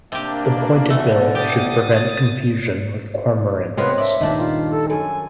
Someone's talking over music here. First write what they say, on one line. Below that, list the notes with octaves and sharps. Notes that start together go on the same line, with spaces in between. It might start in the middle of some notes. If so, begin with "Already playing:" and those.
The pointed bill should prevent confusion with cormorants.
C3 A#3 D4 G4
B2
D3 E3 A3
G4 D#6 A6
C3 B3 F4 A#4 B4 C#5 D#5
D4 E5
D#1 G2 A#2 D#3 D4
F4
A4
F#2 A4 G#5